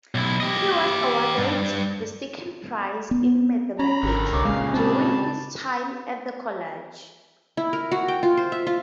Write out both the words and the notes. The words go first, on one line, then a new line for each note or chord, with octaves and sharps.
He was awarded the second prize in mathematics during his time at the college.
B1 E4
G4 D#5
G2
B3
C#4 A#5 B5
G#1 D3 A#4
C2 C#5 D6
A#2 C#3 G#3 F5
G3 C4 A5
E4
A#4
F#4
G5
F4
C5
E5
F4